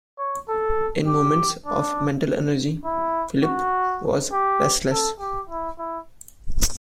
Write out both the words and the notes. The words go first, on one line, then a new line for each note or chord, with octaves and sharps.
In moments of mental energy Philip was restless.
C#5
A4
G4
D4
E4
F#4
G4
A4
G4
E4
E4